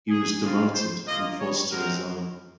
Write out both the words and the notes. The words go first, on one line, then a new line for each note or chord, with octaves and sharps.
He was demoted and forced to resign.
G#4
G#3 C4 F4
C5
A#3 F4 D#5
C#5
G#3 C4 F#4 A#4